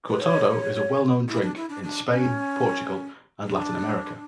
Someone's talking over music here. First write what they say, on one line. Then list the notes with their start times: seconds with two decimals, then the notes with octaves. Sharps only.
Cortado is a well known drink in Spain, Portugal and Latin America.
0.09 B4
0.20 C#5
1.29 E4
1.42 D4
1.56 E4
1.69 D4
1.83 D4
2.11 C#4
3.47 D4